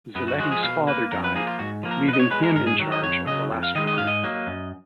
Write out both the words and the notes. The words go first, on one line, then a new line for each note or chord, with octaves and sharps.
Ziletti's father died, leaving him in charge of the Lastra Group.
F#2 B3
F#4
F3 G#3 F#4
G#4
B2 F5
A#3 B4
F2 A#4
B4
F3 A#3 G#4
F4
G#2 F#4
F3 A#3
A#4
B2 B4
D#5
C#5
G#3 B4
A#4
G#2 A#4
G#4
D#3 F#3
D#5
F2 C#5
C#3 F#3 D#5
F2
F5
D#3 G#3 D#5
D#5
G#2 F5
D#5
F#3 A#3
F#2